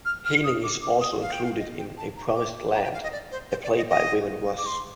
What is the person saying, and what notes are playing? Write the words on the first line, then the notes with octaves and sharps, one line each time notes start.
Haining is also included in 'A Promised Land', a play by Raymond Ross.
F6
F6
D#6
D6
D6
D#6
F5
G5
F5
D#5
G5
A5
A#5
D6
A#5
G5
F5
D#5
D5
C5
C5
D5
D#5
D#5
D6
C6